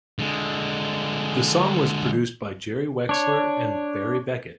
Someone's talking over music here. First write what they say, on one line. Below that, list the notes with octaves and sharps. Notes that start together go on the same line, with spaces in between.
The song was produced by Jerry Wexler and Barry Beckett.
D3 G#3
D4 C#5